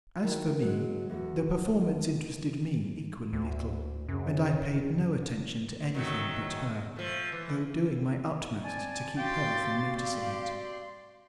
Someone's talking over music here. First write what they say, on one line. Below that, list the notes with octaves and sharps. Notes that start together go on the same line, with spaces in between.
As for me, the performance interested me equally little, and I paid no attention to anything but her, though doing my utmost to keep her from noticing it.
D#3 F#3 E4
F#3 G#3
E2 A3 F#4
D2
F#2 C#3
D#3 F#3 A3
F3 A3
E3
C4 D5 G#5 A5
C4 F#4 G4 F5 G5 C6 A6
D5 C6